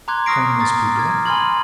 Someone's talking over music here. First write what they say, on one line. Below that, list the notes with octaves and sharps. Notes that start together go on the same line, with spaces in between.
'Can this be death?
A#5 C6 D6 F#6 G#6
C#6 D#6 F6 A#6 C7 D7
A#5 D6 D#6 A6
F6 G#6
G#5 B5 C6 F6 G#6 F#7